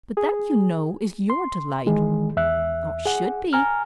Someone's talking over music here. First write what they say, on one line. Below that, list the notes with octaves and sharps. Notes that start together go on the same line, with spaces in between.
But that, you know, is your delight,--or should be.
G#4
C6
D#3 E3 G#3 G#4
E2 E5 F#6
G#4 F#5
G#5 A#5 F6